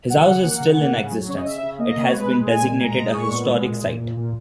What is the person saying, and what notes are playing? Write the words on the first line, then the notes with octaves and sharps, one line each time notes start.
His house is still in existence; it has been designated a historic site.
F#3 F#5
C#3
A#3
C#3
A#3
C#3
F#3
C#3 C#5
D#5
C#3 E5
C#3
A#3 D#5
A#3
C#5
G#3 B4
G#3
A#2 G#5
A#2
G#5
G#3 A#5
G#3
D#6
A#2 C#6
B3
G#3
A#2
A#2
A#2
A#2